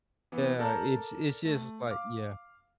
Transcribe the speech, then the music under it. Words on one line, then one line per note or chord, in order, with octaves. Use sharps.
Yeah, it's it's just, like yeah.
E3 B3
A4 A#4 D5 A5 A#5 G6
A3
F5 D6